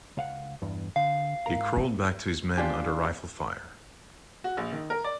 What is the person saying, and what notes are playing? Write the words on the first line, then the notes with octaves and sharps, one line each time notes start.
He crawled back to his men under rifle fire.
C#2 F5 F#5
E2 G2
D3 F5
G#2 A#4 A#5
D4 F4 G4 D5 G#5
F#4
A#1
D#3
A#4
D5